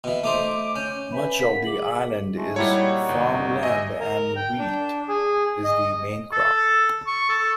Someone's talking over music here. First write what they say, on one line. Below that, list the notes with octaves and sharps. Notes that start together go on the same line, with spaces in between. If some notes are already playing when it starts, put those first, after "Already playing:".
Much of the island is farmland, and wheat is the main crop.
B2 E3
A3 D#4 C5 D6
C#4 G6
B4 E5 G#5 B5
A#4 F5 F#5 B6
G#4 D6 F#7
G#3 A3
A#2 G3 D#4 E4 F#4 C#5
G1
D#5 E5 G#5
A#4
G5
D4
G#4
D#5
A4
C#6
A4